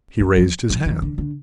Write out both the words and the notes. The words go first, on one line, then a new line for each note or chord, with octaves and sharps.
He raised his hand.
F#3
F3
F3
D#3
D3
D3